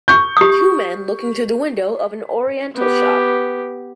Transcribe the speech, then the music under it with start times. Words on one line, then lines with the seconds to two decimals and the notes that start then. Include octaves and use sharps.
Two men looking through the window of an Oriental shop.
0.08 C#6 G6
0.37 G4 D#6
2.75 B3 G4